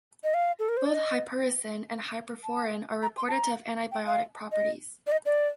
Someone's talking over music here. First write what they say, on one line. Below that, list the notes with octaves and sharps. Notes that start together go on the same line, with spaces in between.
Both hypericin and hyperforin are reported to have antibiotic properties.
D#5
F5
A4
A#4
C5
D5
D#5
A5
A#5
C6
A5
A#5
G5
F5
D#5
D5
D#5
D5